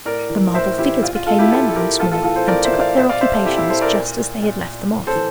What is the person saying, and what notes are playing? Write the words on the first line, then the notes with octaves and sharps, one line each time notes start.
The marble figures became men once more, and took up their occupations just as they had left them off.
A2 A#4 D5
E3
A2 C5 E5
E3 E4 G4
A#2 F4
F4
F4 A4
E4 G4
A#2 F4 A4
A4
G4 A#4
A2 F4 A4
F4 A4
E3 F4 A4
A4 C5
A2 A#4 D5
C5 E5
E3
D5 F5
A#2 C5 E5
D5 F5
C5 E5
A4 C5
A#2 E4 G4
E4
A4 C5
A#4 D5
A#2
A#2
A2
A4 C5
E3